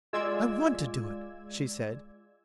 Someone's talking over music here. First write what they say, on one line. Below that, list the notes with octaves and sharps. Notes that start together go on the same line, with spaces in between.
"I want to do it," she said.
G#3 F4 D5 E6 G#6